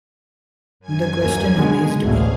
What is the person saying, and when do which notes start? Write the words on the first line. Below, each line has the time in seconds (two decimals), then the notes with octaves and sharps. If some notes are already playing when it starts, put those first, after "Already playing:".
The question amazed me.
0.80 F#2 G#5 G#6
1.21 D#2
1.55 B2 G#3
2.03 A1 D2 B2 G#4 F5